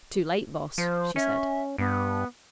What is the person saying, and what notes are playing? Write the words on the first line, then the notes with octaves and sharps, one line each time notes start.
"Too late, Boss," she said.
F3 C5
C#4 E5
G2 B3